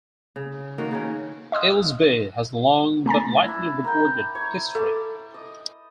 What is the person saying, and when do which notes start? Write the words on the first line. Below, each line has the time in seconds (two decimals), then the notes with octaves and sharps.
Aylesbeare has a long, but lightly recorded, history.
0.36 C#3
0.78 D#3 A#3 F#4
0.91 C#3 A#3 C#4
1.52 D#5 C6 D#6 E6
3.06 A3 G#5 A#5 A6
3.44 D4 E4
3.84 A#4 G5
4.35 C#5
4.75 A4 A5 D6
5.34 D#5